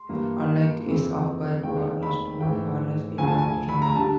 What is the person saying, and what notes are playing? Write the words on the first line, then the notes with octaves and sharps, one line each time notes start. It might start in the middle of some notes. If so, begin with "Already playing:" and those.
Unlike his half-back partner Stuart Barnes, Hill loved training.
Already playing: C6
G2 E3 G3 A#3
F2 C#3 E3 G#3 C4
E1 D#2 D#3 G#3 B3 G5
B5
G#2 E3 A3 G5
D2 C#3 F3 G#5
A5
G#5
B5
A#5
D3 G3 A5